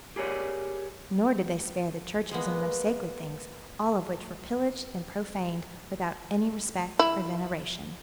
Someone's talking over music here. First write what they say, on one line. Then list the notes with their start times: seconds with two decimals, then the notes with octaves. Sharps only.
Nor did they spare the churches and most sacred things; all of which were pillaged and profaned, without any respect or veneration.
0.16 G4 G#4 A#4 C#5 D5
2.31 G#3 A#3 B3
6.99 E4